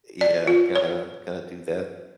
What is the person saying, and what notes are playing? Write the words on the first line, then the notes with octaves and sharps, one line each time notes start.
yeah, gotta gotta do that.
D5
F4
C#5